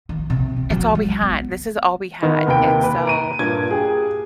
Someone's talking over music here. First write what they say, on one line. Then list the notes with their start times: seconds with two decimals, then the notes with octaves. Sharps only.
it's all we had, this is all we had. And so
0.09 D#3
0.30 C3
0.56 C4
0.70 F#3
0.95 G#3
1.09 D#3
1.23 B3
2.23 D#3 B3
2.47 D#2 C3 A#3 B4 G5 D7
2.84 B4
3.06 A#5 D7 D#7
3.39 G2 A#2 G#6
3.71 G4 G#4